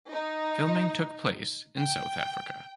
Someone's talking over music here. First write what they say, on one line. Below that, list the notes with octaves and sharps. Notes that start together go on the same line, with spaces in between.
Filming took place in South Africa.
D#4
G5